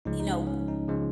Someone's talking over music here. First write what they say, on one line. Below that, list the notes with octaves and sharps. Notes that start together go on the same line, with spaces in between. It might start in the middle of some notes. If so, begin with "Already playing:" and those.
You know, w
C#2 C#3 F3 G#3 D#4
D#4
C#4
C#4
D#4
C#3 F3 G#3